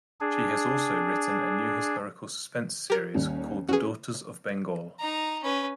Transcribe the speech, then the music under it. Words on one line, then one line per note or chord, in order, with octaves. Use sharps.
She has also written a new historical suspense series called The Daughters of Bengal.
D4 G#4
G4 A#4
D#2 G3 C#4
C#4 F#4 G#4 B4
D#4 A#5
C#4 B4